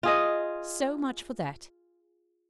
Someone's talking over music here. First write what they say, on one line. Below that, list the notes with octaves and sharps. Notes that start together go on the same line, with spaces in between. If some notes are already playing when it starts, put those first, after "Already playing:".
So much for that.
F4 G#4 D#5